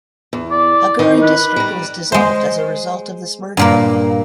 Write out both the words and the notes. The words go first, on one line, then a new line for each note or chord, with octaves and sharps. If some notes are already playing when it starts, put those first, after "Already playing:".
Haguri District was dissolved as a result of this merger.
E2
D5
D#3 E3 D#4
B4
G3 A#5
G#3 C5
G2 A#2 A#3